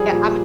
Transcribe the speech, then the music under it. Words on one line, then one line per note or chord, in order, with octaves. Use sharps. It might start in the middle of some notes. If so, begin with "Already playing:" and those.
yeah, I'm a
Already playing: F3 G3 G#4
A#2